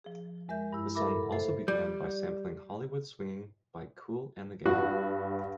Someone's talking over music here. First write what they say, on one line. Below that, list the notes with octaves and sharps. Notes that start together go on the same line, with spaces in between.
The song also began by sampling "Hollywood Swinging" by Kool and the Gang.
F3 G#4
F2 G#3 A#4 E5 G6
G2 E4 E6
A4 A#4 E5 B5 D6
F#2 A2
A3 A4 C5 E5 F5
G3
G2 F#4